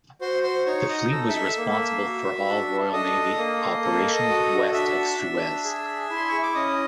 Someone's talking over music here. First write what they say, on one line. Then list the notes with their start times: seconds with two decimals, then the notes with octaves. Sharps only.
The fleet was responsible for all Royal Navy operations "West of Suez".
0.21 F#4 C5 C6
0.43 C5 C6
0.66 D#4 C#5 C#6
0.89 D#5 D#6
1.12 A4 E6
1.29 E5 E6
1.57 A#3
2.03 F#4
2.48 D4
2.93 A4 D#5 D#6
3.38 A#3
3.84 A4
4.29 F#4
4.74 D4 E5 E6
5.19 D4
5.64 G#4
6.10 E4
6.16 C6
6.29 C#6
6.43 D6
6.55 C#4 D#5 D#6